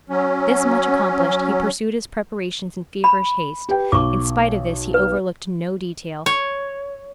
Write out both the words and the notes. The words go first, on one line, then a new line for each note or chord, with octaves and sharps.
This much accomplished, he pursued his preparations in feverish haste. In spite of this, he overlooked no detail.
F#3 C#4
B5
G4 B4 G5
B1 C#6 D6
B4
C#5